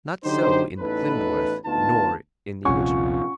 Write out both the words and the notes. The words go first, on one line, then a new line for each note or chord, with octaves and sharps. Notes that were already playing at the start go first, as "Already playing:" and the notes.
Not so in Klindworth nor in the original.
D3 F#3 D#4 G4 C5
A1 E2 D#4 A4 B4
D2 B3 D#4 F4 A5
D#1 A#1 C3 C#4 F4 F#5 G#5 C#6